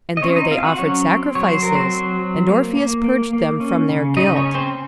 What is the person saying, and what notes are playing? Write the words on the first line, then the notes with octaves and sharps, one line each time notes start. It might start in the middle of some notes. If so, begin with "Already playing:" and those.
And there they offered sacrifices, and Orpheus purged them from their guilt.
D#5
C4 C#4 C#5
D#4 D#5
C4 F4 F5
F#4 F#5
F#3 C#4 C#5
C4
F#3 C#5
C5
F#3 A#4
C4 C5
F#3
F#3
A#3
A#3
A#3
A#3
C#4
C#3
C#3 D#4 D#5
C#4 C#5
C#4
C4 C5